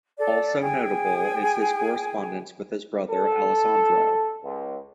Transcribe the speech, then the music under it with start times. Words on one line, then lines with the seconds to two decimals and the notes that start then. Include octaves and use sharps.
Also notable is his correspondence with his brother Alessandro.
0.19 A4 D5
0.63 G#4 G5 G#5
3.10 A4
4.44 C#2